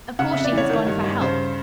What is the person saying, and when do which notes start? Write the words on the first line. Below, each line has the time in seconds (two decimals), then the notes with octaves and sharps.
Of course she has gone for help.
0.19 C#3 F#5
0.31 F2 E5
0.44 D5
0.52 E3
0.57 C#5
0.70 D#3
0.87 G2
1.04 G2
1.21 C#3 C5